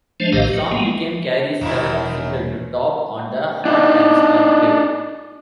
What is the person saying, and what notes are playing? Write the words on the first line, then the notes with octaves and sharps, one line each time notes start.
The song became Carey's seventh single to top on the Hot Dance Club Play.
F3 G#3 A3 D4 C5
A#1 A2 D#3 G4 D#5 F5
F#3
G#3 A#3 B3
E1 F#2 D#3 E4
D4 D#4